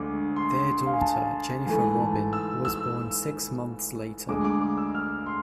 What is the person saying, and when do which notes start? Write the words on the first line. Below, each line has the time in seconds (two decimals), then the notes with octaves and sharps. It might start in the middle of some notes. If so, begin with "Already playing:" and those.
Their daughter, Jennifer Robin, was born six months later.
Already playing: D2 D3 G#3 D6
0.36 C6
0.86 F5
0.93 G#5
1.01 A5
1.66 G#2 E3 A3 G#5
2.00 A5
2.33 E6
2.65 E6
4.28 D2 D3 G#3 D6
4.44 D6
4.61 D6
4.77 E6
4.94 F6
5.26 C6